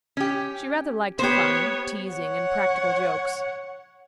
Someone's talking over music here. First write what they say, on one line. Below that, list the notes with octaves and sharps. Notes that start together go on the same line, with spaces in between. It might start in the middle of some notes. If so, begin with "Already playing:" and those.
She rather liked fun, teasing, and practical jokes.
C#4 G4
B3 G4 C5 C#5
C#5 F#5